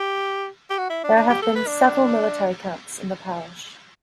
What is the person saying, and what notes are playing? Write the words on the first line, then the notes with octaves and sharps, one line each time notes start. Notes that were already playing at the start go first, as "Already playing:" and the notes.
There have been several military camps in the parish.
Already playing: G4
G4
F#4
E4
D4
D4
G4
A4
B4
D4